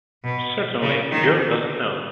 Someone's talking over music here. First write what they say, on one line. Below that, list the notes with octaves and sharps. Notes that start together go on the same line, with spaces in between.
Certainly Jo doesn't know.
B2
C#3
D#3